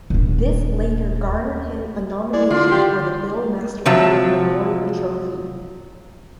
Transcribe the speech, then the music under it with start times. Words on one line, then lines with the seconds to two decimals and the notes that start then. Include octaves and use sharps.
This later garnered him a nomination for the Bill Masterton Memorial Trophy.
0.10 D#1 D4
2.33 G#3 E4 D5
2.50 D3 F4 C6
2.71 G4
3.86 C3 F3 F#3 A5